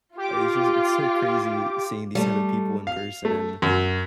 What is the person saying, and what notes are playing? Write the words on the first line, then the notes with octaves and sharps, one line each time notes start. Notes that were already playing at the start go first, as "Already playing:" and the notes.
it's just it's so crazy seeing these type of people in person, and I
F4 G4 D6
G3 A3
F5
A3
F#2